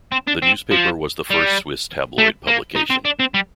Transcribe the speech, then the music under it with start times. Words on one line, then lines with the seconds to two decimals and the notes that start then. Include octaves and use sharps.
The newspaper was the first Swiss tabloid publication.
0.12 C4
0.28 D4
0.42 C4
0.71 F3
1.30 G3
2.18 A3
2.47 A#3
2.76 D#4
2.90 C4
3.05 D4
3.19 C4
3.34 G3